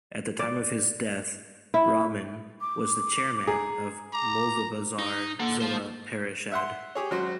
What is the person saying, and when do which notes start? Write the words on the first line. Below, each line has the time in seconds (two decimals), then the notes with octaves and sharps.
At the time of his death Rahman was the Chairman of Moulvibazar Zila Parishad.
0.39 D5
1.74 E4
2.61 D6
3.47 G#4 A#5
4.13 A#5 D6
4.99 D#4
5.40 A#3 A4 F#5
5.60 F4 C5
6.52 E5 F#5 C6
6.95 G4 G#4 C#5
7.11 G#1 F#3 C#4 F#4 C5